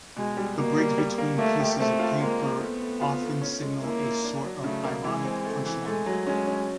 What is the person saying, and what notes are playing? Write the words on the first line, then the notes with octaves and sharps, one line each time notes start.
The breaks between pieces of paper often signal a sort of ironic "punchline".
B2 G#3
G3
B2 A#3
G3
G3
A#3
A3 A#3
G4
A3 C4
F4
G#3 A#3
C4
A3 B3
A3
F4
A3
C#4
G#3
A#3 E4
E4
D4
F#3
C#3 A3
A#3
E3 G#3
C4
A3
E3
G#3 A3
F#3
G#3 C#4
C#4